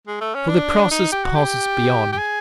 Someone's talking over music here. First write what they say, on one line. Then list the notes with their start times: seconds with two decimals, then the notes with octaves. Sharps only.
For the process passes beyond.
0.07 G#3
0.21 A3
0.35 C#4
0.49 D4
0.91 D#4
1.12 G4
1.25 F#4
1.36 G4
2.12 G4
2.18 G#4